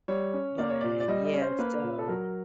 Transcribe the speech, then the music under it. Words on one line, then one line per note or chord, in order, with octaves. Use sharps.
But, yeah, so
G3 C#5
C#4
A#3 D5
C#5
A#2 D5
D5
G3 D#5
D#5
C#4
C5
A#3 B4
A#2
A4
F#3 A#4